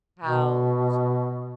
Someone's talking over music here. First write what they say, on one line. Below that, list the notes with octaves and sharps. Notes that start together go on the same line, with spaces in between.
how to
B2